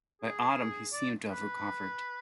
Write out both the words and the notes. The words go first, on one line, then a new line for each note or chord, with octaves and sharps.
By autumn he seemed to have recovered.
G#4
D5
B4